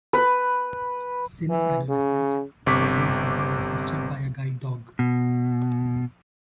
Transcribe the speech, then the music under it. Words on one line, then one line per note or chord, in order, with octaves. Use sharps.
Since adolescence, Cordes has been assisted by a guide dog.
B4
E3
C#3
G1 C3 C#6 D6 B6
B2